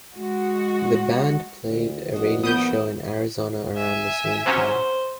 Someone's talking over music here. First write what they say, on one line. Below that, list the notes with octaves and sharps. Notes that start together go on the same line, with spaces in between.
The band played a radio show in Arizona around the same time.
G#3 F#4
D2
A#1 F#4 D#5
E2 D#3 B3 E4 D#6 G6
E5 G#5
C3 F#3 C#4 C5